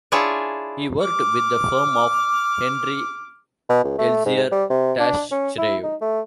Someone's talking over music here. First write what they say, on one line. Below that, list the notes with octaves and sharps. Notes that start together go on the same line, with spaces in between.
He worked with the firm of Henri-Elzear Taschereau.
D4 E4 F4 G#4 C#5 E5
D6 F6
B2
C#2
A3
G#2
G3
C3
D4
C#4
E4
D#4
A3